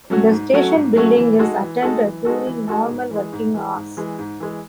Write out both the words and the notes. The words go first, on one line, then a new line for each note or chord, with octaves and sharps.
The station building is attended during normal working hours.
F#3 A3 C#4 F#4
G#2
F#3 A3 C#4 F#4
G#2
F#3 A3 C#4 F#4
E3
G#3 D#4 F#4 A4
E3
G#3 D#4 F#4 A4
E3
G#3 D#4 F#4 A4
E3
G#3 D#4 F#4 A4
G#2
E3 G#3
G#2
E3 G#3
G#2
E3 G#3
G#2
E3 G#3